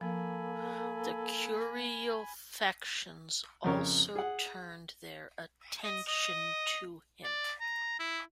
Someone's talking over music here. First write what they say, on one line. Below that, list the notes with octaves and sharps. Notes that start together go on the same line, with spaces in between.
The curial factions also turned their attention to him.
F3 A#3 A4 G#5 B5
F2 C#3 A#4 C#5
G#4 F#5
D#5
D#5
D5
A#5
E4